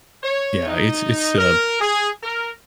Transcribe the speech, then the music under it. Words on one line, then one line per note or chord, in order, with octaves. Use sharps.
Yeah, it's it's, uh
C#5
D#4
A#4
G#4
A#4